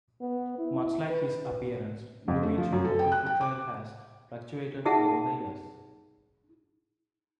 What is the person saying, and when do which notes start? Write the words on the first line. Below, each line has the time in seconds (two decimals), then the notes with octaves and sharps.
Much like his appearance, Luigi's vocal portrayal has fluctuated over the years.
0.21 B3
0.59 E4
1.09 B4
2.28 F2
2.43 A3
2.58 F3
2.72 F#2
2.85 A4
2.99 G5
3.12 F#6
3.26 G5
3.41 D6
4.85 D#4 G#4 E5 F#5 A5